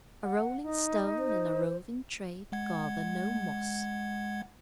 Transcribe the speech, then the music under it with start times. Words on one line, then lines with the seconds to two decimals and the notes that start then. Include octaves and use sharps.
A rolling stone and a roving trade gather no moss.
0.23 F#5
0.63 D#4
1.19 C5
2.52 G#3 F#5 G#6